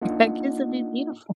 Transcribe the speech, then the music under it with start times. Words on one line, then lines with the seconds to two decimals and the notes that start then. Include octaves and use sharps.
our kids will be beautiful.
0.02 A#3 D4 D#4 F4 D#5 F#5